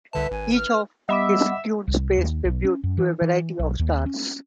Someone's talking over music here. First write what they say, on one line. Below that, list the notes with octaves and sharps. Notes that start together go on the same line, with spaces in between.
Each of his tunes pays tribute to a variety of stars.
C2 D3 B4 E5 A5
G#1 G#5
F6
G3 B3 D#5 E5 B5 D6
C2
D#2
B1
C#4
F#2
E3
E3
B1
D#2
C#4